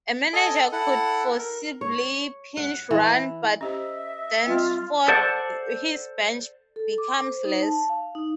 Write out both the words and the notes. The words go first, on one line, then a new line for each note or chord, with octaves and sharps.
A manager could feasibly pinch-run, but thenceforth his bench becomes less.
A4 D#5 G#5
E4 A4 F#5
A#4
C#5
F#5
E3
C#4 G4 C5 D#5 E5
G3 C4 F4 G5
A4 C5 D5 E5 F#5 A5
A4
D6
C5
D#4
A5
F5
D#4